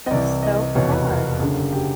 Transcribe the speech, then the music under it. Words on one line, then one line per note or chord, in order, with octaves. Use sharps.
That's so odd.
D#5
C2 C3 E3 D5
D#5
F1 E2 B2 C#5
B4
A#4
F#1 F#2 D3 G#4
G4